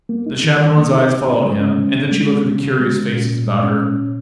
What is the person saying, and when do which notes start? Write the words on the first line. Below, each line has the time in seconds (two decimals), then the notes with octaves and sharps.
The chaperone's eyes followed him, and then she looked at the curious faces about her.
0.09 A#3
0.26 D#4
0.44 D#3
0.60 D#3
0.77 A#3
0.94 D#4
1.11 C#3
1.28 C#3
1.45 G#3
1.61 C#4
1.79 C#3
1.96 C#3
2.12 G#3
2.29 C#4
2.46 C#3
2.63 C#3
2.80 G#3
2.97 C#4
3.13 A#2
3.30 A#2
3.47 G#3
3.63 C#4
3.80 A#2
3.98 A#2